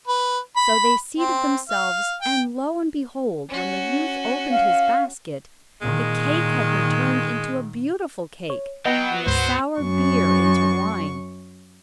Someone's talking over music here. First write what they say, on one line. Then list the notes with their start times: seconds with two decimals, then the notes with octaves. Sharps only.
So they seated themselves, and, lo and behold, when the youth opened his basket, the cake had been turned into a beautiful cake, and the sour beer into wine.
0.07 B4
0.56 B5
1.18 C4
1.69 F5
2.21 G5
3.49 C#4 F#4
4.51 F5
5.82 A#2 D#3 G#3
8.50 C#5
8.86 F#3 B3 D#5 G5 A#6 C7
9.27 D2 G#2 C5
9.80 F#2 C#6